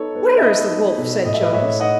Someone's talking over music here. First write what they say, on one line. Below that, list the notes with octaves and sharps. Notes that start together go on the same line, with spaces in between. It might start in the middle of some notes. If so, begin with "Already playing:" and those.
'Where is the wolf?' said Jonas.
Already playing: B3 D#4 A4 C#5
B3
E5
D#4 B4 D#5
D#4
B2
A2 D#5
E5
B4 D#5
A2 C#5 E5
D#4 D#5 F#5